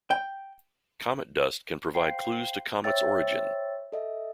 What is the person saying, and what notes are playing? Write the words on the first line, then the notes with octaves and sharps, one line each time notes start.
Comet dust can provide clues to comets' origin.
G5
C5 F5 G5 C7
C5 C#5 E5 G5 E6 A6
A4 D#5 E5